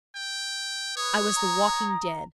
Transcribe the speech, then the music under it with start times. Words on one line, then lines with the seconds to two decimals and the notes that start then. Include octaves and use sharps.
I was the walking dead.
0.15 G5
0.97 B4 C#5 D#6
1.35 A#5